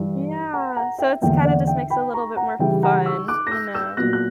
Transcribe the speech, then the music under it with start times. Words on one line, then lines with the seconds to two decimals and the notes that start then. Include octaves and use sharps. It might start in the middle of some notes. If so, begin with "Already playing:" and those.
Yeah. So it's kinda just makes it a little bit more fun, you know.
Already playing: G2 E3 G3
0.53 F#5 A#5
0.76 F#5 A#5
0.99 E5 G5
1.21 E2 D3 A#3 E5 G5
1.45 D5 F#5
1.67 E5 G5
1.90 G5 B5
2.14 A#5 C#6
2.36 F#5 A#5
2.59 C#3 E3 G3 E5 G5
2.83 F#5 A#5
3.06 C#6 E6
3.28 D6 F#6
3.47 A#6
3.51 E6 G6
3.74 E6 G6
3.97 A#2 F#3 B3 F#6 A#6
4.13 F#6